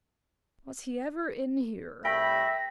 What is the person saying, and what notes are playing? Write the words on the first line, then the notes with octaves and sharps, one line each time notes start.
"Was he ever in here?"
C2 A3 E5 G5 B5 A#6